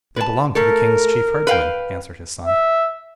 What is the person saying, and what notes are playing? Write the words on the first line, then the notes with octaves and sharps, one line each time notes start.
'They belong to the king's chief herdsman,' answered his son.
B4 A5
A3 A4 A#4
B4 F5 G5
E5